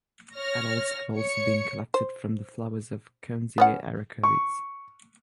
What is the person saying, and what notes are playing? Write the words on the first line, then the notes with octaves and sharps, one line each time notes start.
Adults have also been collected from the flowers of "Kunzea ericoides".
C#5 F6 A#6
C#5 C#7
C5
B3 C#4 F#5
C#6